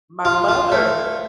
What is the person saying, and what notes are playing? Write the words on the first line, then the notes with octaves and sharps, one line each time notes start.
My mother,
F4
F4
A3